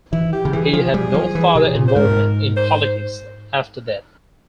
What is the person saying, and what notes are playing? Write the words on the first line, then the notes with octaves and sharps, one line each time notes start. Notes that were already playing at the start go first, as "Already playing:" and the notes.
He had no further involvement in politics after that.
E3 E4
G4
C#3
E3 G#4
F3
G3
F3
E3
C3
A#2
C5
G#2 A#4
C5